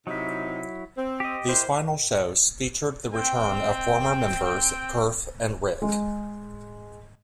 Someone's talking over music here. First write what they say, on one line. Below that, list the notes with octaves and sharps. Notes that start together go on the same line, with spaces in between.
These final shows featured the return of former members Kurf and Rick.
C3 F#3 D#4 E4
C4
G4 D#5
E4 A#4 C5
C4 G5
G#3